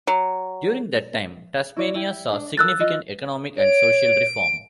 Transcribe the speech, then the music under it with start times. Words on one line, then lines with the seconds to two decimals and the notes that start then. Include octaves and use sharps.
During that time, Tasmania saw significant economic and social reform.
0.07 F#3
1.77 E4 F#4 D5
1.94 E4 G4
2.32 D4
2.57 A4 A#4 F5 E6 F#6 A6
2.80 F4 D#5
3.57 C#5 D7